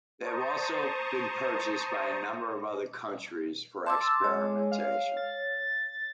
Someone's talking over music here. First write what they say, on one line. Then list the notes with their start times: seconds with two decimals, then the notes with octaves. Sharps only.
They have also been purchased by a number of other countries for experimentation.
0.21 C5 A5 A#5 C#6 D#6
3.86 A5 C6 D6 E6
4.24 G#3 C#5
4.72 F5
5.17 A6